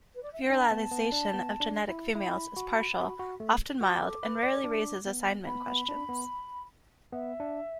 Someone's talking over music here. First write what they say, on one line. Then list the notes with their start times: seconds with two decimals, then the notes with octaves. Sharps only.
Virilization of genetic females is partial, often mild, and rarely raises assignment questions.
0.14 B4
0.22 D5
0.33 E5
0.41 F#5
0.50 D4 A5
0.71 B3
0.91 B3
1.12 D4
1.33 B3
1.60 D4
1.88 E4
2.15 E4 B5
2.57 F#4
2.98 F#4
3.19 F#4
3.40 A3
3.81 F#4 D6
4.02 A4
4.23 B4
4.43 D5
4.64 D4
5.06 B3
5.46 B3 B5
5.67 B3
5.88 D4
6.09 B3
7.12 B3 E5
7.40 D4